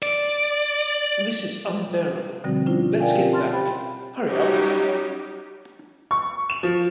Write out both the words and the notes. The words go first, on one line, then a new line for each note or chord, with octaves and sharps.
This is unbearable; let’s get back... hurry up.
D5
B2 D3 F3 G3 C4 F#4
C#4 D4 E4 F4 C5
A#4 D5 F5 G5 G#5
C4 G4
A5 C6 F6 A6
G4 C5 G5 B5
F#3 G3 C#4 D#4 F#4 G4
C#6
E7
F3